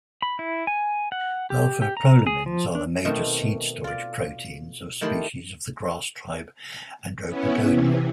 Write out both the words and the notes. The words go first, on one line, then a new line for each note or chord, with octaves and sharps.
Alpha-prolamins are the major seed storage proteins of species of the grass tribe Andropogonea.
B5
E4
G#5
F#5
G4
G4
A#5
G#4
F3
D4
B2 D#3 A3 C4
F4 D5
D#3 A3 E4 G4 B5 C6
B3 C#4 E4
C3 E3